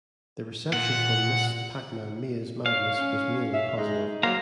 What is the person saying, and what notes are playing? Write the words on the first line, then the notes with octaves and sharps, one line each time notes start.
The reception for Ms. Pac-Man Maze Madness was mainly positive.
A#2 F#5
C#5 F5
C#4
E5
C#3 G3 G#3 D#4
F#3 A#3 C5 F5 A#5